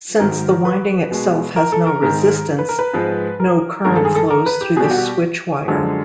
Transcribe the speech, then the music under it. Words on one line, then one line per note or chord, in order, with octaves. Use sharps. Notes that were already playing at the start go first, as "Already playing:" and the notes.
Since the winding itself has no resistance, no current flows through the switch wire.
G#2 D#3 F#3 A#4
B4
B2 G#3
A#4
A4
A#4
G#2 D#3 G#3 A#4
B4
A#4
B4
G#2 F3 G#3
A#4
G2 D#3 G#3 A#4
A4
G#4
A4
A#4
B4
G4
B2 G3 G4 G#4
F#4
G4
F#2 D3 F3 G#3